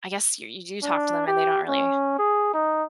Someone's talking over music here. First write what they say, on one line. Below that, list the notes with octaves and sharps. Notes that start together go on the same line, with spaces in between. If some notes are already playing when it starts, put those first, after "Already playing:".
I guess you you do talk to them and they don't really
D4
G4
C#4
G#4
D#4